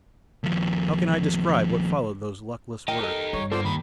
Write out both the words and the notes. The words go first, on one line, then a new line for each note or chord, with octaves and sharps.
How can I describe what followed those luckless words?
D#2 F3
D#4 G4 A#4 D#5 G5
A4 D#5
G2 C#5
A#3 B3 F4 A4 C5 D5
D#2 D#3 B5